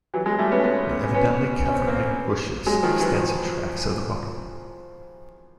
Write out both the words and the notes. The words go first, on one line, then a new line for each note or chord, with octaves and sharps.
They evidently cover like bushes extensive tracts of the bottom.
E3 F#3
F#3 G#3
G3 A3
B3 C#4
B3 C#4
B3 C#4
C#4
C4
B3
A#3 C4
F#3 G#3
D#3 F3
E3 F#3
F3